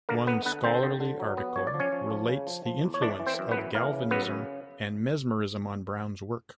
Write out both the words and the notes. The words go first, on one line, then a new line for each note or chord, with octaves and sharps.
One scholarly article relates the influence of Galvanism and Mesmerism on Brown's work.
D3 A#3 A#4
B3 B4
D3 B3 B4
D3 C4 C5
D3
D3
F#3
B3
F3 C#5
D5
F3
C#4 C#5
F3
F3
C#3
F3
F3
E2
C#5
E3 D4 D5
E3
C4 C5
F#2
B3 B4
E3
E3 A#3 A#4
C#3
F#2 B3 B4
C#3